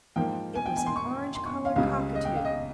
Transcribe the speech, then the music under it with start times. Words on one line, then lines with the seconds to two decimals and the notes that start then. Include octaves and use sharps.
It was an orange-coloured cockatoo.
0.16 G#2 F3 A#3 G5
0.55 G#5
0.66 G5
0.77 G#5
0.86 C6
0.96 C#6
1.35 C6
1.46 C#6
1.65 F5
1.76 C#2 C#3 G3 F5
2.15 D#5
2.25 G5
2.35 F5
2.45 D#5